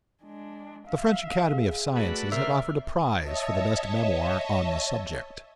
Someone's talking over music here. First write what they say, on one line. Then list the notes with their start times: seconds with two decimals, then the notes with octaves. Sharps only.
The French Academy of Sciences had offered a prize for the best memoir on the subject.
0.23 G#3 D4
0.88 E5 F5
1.49 G#4
1.96 A3 F#4 B4 D5
2.32 C3 A#4 E5 C6 F6
3.22 C#5 D#5 E5 A5